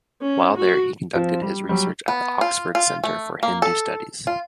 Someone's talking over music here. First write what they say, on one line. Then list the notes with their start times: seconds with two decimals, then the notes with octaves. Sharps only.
While there, he conducted his research at the Oxford Centre for Hindu Studies.
0.22 C#4
0.56 F#4
1.15 F3 C4
1.42 G3
1.69 F#3 G3
2.08 B3
2.41 F4
2.75 F4
3.04 A3
3.43 A#3
3.62 A4
4.27 F4